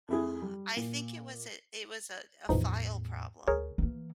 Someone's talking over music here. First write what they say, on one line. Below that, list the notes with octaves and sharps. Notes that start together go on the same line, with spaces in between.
Ah, I think it was it it was a a file problem
F2 E4 G#4
G3
A#2
E2 A2 E3 F3 D#4
D2 G#4 A#4 C#5
E3 A#3